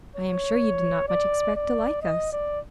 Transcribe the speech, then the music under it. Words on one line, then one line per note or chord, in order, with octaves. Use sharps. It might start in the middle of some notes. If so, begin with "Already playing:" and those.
I am sure you did not much expect to like us.
C#5
D5
D5
D#5
D5